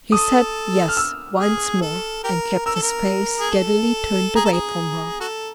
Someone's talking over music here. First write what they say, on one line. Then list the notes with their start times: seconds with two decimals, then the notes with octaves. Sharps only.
He said "Yes" once more--and kept his face steadily turned away from her.
0.12 A4 D#6
0.88 F6
0.97 E6
1.39 G#4
1.81 A4
2.24 G4 A#4
2.66 A#4 E6
2.75 A4
2.82 A#4
3.40 G#4
3.51 A4
4.35 G#4 A#5
4.45 A4
4.53 G#4
5.20 F#4 A4